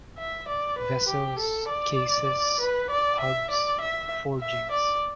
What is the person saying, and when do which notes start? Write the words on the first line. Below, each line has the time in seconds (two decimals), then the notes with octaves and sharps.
Vessels, cases, hubs, forgings.
0.18 E5
0.48 D5
0.78 B4
1.08 G4
1.39 A4
1.69 D5
2.60 B4
2.90 D5
3.20 E5
3.51 D5
3.81 E5
4.41 E5
4.71 D5